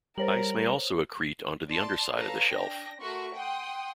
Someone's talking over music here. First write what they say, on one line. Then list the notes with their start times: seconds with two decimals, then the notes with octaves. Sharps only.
Ice may also accrete onto the underside of the shelf.
0.18 G3 A#4 C5 C#5 F#7
1.69 D5 A5 C6
2.14 A4 B4 C#5 F5 A5 A#5
2.49 D4 G5 A#6
3.01 A3 F#4 A#4 C6 C#6
3.34 F#5 G5 C6 D#6